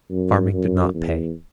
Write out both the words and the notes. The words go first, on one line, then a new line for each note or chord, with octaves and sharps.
Farming did not pay.
F#2
F#2
E2